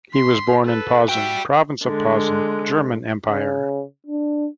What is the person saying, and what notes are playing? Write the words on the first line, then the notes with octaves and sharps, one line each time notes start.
He was born in Posen, Province of Posen, German Empire.
C6 B6
A4 B4
G3 F#4 E5 G5
D3 G#3
C#3
D4